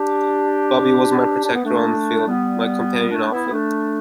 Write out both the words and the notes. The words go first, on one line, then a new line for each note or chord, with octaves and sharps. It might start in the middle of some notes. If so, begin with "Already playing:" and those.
Bubby was my protector on the field, my companion off it.
Already playing: D4 G4
D4
B3
A3 D4
A3
G3 B3
A3 D4
B3 E4
B3
A3 D4